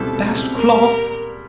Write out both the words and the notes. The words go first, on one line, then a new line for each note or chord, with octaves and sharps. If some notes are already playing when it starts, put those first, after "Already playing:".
Bast cloth.
Already playing: C#2 B2 G3 C4 E4 A4
C#2
B2 G3 C4 E4
A#2 A#4
G3